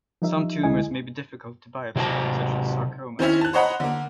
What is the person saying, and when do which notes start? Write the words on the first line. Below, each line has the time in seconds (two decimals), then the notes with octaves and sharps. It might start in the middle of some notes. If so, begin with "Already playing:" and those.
Some tumors may be difficult to biopsy, such as sarcomas.
0.22 F3 G3 D#4 A#4 E5
0.63 D2 D3 G#3 E4 D#5 G#5
1.96 C3 F#3 C5 A5
3.19 D#3 C4 C#4 E4
3.41 A5 F#6
3.53 C5 C#5 D#5 F#5 A#5 B5
3.80 D3 A#3